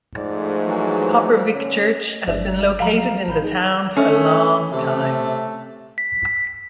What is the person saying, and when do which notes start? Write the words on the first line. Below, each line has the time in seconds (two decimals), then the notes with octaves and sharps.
Kopervik Church has been located in the town for a long time.
0.17 G#2 F3 G#3 A3 D5
0.67 E3 F#3
1.54 D3 C#4
2.27 G1 G#3 D4 E5
2.80 F3 F#3 F5 A#5 F#7
3.27 A1 B5 G6
3.42 D#4 G#4
3.97 A3 C#4 E5
4.72 C3 A3
5.98 B6